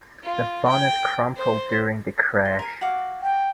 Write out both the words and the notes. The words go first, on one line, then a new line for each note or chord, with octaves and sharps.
The bonnet crumpled during the crash.
F4
G5
C5
C6
A#4 G#5
F#4 F5 D6
G5